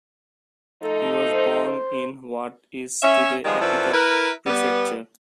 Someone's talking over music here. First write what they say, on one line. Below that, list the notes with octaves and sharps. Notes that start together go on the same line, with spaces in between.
He was born in what is today Akita Prefecture.
F3 A3 D#4 A4
C5
C#4 E5
B2 D#3 F3 G3 G#3
F#2 F3 E4 A4 B4 D5
E4 A#4 B4
G3 B3